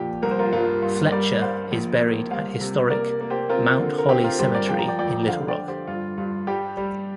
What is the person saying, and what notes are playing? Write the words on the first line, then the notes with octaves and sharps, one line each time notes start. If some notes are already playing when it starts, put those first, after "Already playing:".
Fletcher is buried at historic Mount Holly Cemetery in Little Rock.
Already playing: F2 A#2 G4
C2 A#4
C5
F4 A#4
G2 F4 A#4
G2 F4
G3 A#4 D5
G3 C5 F5
A#1
A#3
C2 C5 F5
C3
A#3 A#4 D5
A#3
G4 C5
C4 F4 A#4
D3
A#4
C4 G4
F4 A#4
G2 G4 C5
A#4 D5
F3 G5
A#5
D5 G5
F2 D5 G5
D3 C5 F5
D5 G5
D3
G4 C5
G2 F4
G2 F4
G3 G4
G3